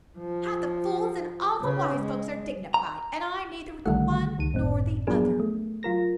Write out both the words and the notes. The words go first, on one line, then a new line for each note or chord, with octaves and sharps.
"Half the fools and all the wise folks are dignified, and I'm neither the one nor the other."
F3
C#3 C#4
G#3
A#5
B1 D3 D#3 G3 A3 F#5
C#2 D#3 D#7
G1 F#2 A2 C4
F3 F#3 B3 D4 G#4 A#4
A3
F#3 F4 A#4 A#6